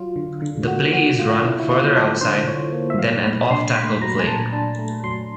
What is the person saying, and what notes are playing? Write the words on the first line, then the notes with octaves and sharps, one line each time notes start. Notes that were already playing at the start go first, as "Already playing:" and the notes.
The play is run further outside than an off tackle play.
Already playing: F#3 F4
D3
D3
A#3 F#4
F#3 F#4
D3 F4
D3 E4
E4
A#3 F4
F#3 A4
D3 C5
D3 C#5
A#3
E5
F#3 F5
A#2 B5
D4 C6
A3 B5
F#3 A#5
G#5
A#2 A5
D4 A5
A3
F#3 C6